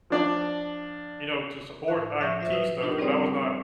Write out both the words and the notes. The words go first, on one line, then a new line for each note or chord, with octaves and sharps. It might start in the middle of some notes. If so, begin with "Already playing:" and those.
you know, to support IT stuff, but I was not
F3 D4 D5
A2 C#6 F#6
F3 E5 C#6 A#6
F4 C5 E5
B4 E5 D#6 E6
D4 D#4 F4 G4 A#4
G3 C4 G#4 D5 D#6